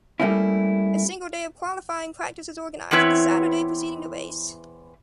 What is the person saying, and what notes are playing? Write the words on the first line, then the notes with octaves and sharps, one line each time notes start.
A single day of qualifying practice is organized, the Saturday preceding the race.
G3 A3 A#3 C#4 E4
E2 E3 C4 E4 B4 C#5